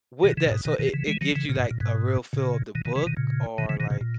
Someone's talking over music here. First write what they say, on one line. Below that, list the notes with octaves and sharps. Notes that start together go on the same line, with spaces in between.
with that so it it gives you, like, a real feel of the book or, like,
B2 D#3
C#3 E3
A#2
G#2 B2
B2 D#3
B2 D#3
C#3 E3
E3 G#3
D#3 F#3
C#3 E3
A#2 C#3
G#2 B2
A#2
G#2 B2
A#2 C#3
B2 D#3
B2 D#3
C#3 E3
B2 D#3
A#2 C#3
B2 D#3
C#3 E3
B2 D#3
A#2 C#3
A#2